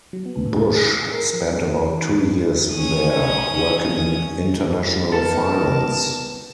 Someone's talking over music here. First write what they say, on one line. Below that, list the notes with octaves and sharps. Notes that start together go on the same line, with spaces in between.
Bush spent about two years there, working in international finance.
F#3
B3
A2
G#4
C7
A#4
F3
C#4 D#6
B3 D#4 A4 A#4 A5